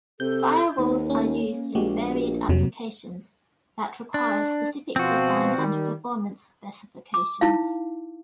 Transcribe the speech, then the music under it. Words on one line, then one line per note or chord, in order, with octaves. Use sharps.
Firewalls are used in varied applications that require specific design and performance specifications.
C3 A4 G6
D#2 D#4
A#3 C#4
A#1 G#3 F#4 G4
F2 C3 F#3
D4
B2 F3 C4 F#4
D#3 G3
D6
D#4 E4 F5